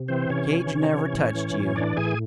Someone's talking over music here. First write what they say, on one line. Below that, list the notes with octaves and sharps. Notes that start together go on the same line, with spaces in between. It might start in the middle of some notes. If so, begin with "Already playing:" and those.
Cage never touched you!
Already playing: C3
E3 C4 C5
C3 C#4 C#5
E3
C3
E3
A2
E3
A2
E3 D4 D5
A2 G#4 G#5